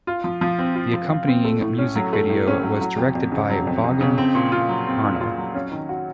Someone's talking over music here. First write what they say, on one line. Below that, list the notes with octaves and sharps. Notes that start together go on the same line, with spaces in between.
The accompanying music video was directed by Vaughan Arnell.
F4
F3
F3
C4
F4
F3
F3
C4
A3
A2
C#4
F#3
A3
A2
C#4
F#3
F#3
F2
F2
C#3
F#3
F2
F2
C#3
C4
A#2
F4
F#3
C4
A#2
F4
F#3
C#4
D#3
F#4